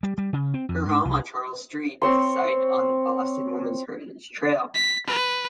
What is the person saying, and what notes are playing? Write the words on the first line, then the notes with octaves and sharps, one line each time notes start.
Her home on Charles Street is a site on the Boston Women's Heritage Trail.
G3
G3
C#3
C4
F2
G#2
C2
C4 C#5 C6
B6
B4